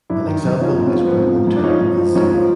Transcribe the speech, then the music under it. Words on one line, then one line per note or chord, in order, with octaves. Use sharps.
An example is where no term is zero.
F#2 D4 E4
D#3
F#2
F3 C#4 D#4
G#2 C4
B3 C#4
F3
B3
G#2 C4
F3
G#2
D4
F3 C#4 D#4
G#2
F3
G#2 C#4 D#4
F3